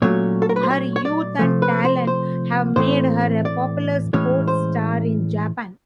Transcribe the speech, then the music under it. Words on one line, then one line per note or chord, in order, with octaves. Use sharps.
Her youth and talent have made her a popular sports star in Japan.
A#2 F#3 A3 C#4 C#5
A4
A#4
B4
C5
C#5
C#5
D5
C3 F3 A3
B4
C5
C5
A2 E3 A3 C4 C5
D5
A2 E3 G#3 C#4 C#5
C5